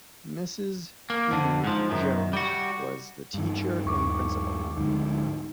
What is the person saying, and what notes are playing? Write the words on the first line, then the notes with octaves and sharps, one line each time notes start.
Mrs. E. Jones was the teacher and principal.
A#3
F2 D3
G#2 F3
F#2 D#3
G3 F#4
G2 D#3
D#2 C#6 D6
D2 G#2 D#4